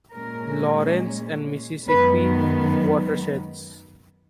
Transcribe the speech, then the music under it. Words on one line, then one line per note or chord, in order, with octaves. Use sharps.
Lawrence and Mississippi watersheds.
A#2 G#3 C#4 A#4
F#2 D#3 G#3 B3 B4